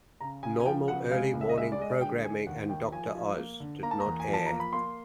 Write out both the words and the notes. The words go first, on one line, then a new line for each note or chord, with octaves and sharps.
Normal early morning programming and "Doctor Oz" did not air.
C#3 A#5
C#3 G#5
G#5
F3 G5
C#3 F#5
G#3 F5
C#2
E5
D#5
G#3 E5
D5
G#3 D#5
D5
D3 G5
D3 G#5
D#2 F#5
D#2 G5
F3 G#5
F3
A#3
D3
A#3 A#5
A5
A#5
E2
G#5
F3
A5
A#3 A#5
B5
A#3 C6